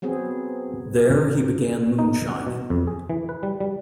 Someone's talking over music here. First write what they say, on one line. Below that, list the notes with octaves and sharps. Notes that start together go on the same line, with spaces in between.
There, he began moonshining.
F#3 B3 C4 G#4
D#4
F#5
B2
F2
G#4
E3
B4
G3
G3